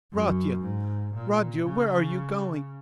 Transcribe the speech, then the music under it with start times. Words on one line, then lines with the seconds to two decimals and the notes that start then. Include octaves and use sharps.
Rodya, Rodya, where are you going?
0.12 F#2
0.62 G#2
1.14 A#2
1.64 C#3